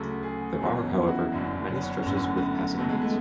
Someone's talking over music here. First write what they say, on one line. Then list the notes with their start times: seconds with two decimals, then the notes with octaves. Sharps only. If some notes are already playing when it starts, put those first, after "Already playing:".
There are, however, many stretches with passing lanes.
Already playing: D2 C#3 F#3 A4
0.23 G#4
0.58 E1 E2 B2 F#3 G#4
0.77 C#4
0.96 E4
1.07 F#4
1.20 E4
1.32 F#1 F#2 D3 D4
1.68 C#4
1.75 B3
1.82 C#4
2.05 F#1 F#2 D3 C#4
2.16 B3
2.27 A3
2.37 B3
2.78 E2 B2 F#3 A3
2.89 G#3
3.02 A3